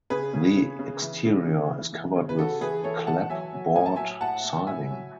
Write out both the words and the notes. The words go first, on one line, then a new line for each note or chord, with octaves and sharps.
The exterior is covered with clapboard siding.
C#3 G#4 B4
C#3
C#3
C#3
E3
C#3
C#3
E3
E3
C#3
B4
C#3 F#4 A4
E3 G#4 B4
E3 A4 C#5
E3 F#5 A5
F#3 E5 G#5
F#3
A2 G#5
A5
F#3 E5 G#5
A2 F#5 A5
A2
A2 E5 G#5
F#3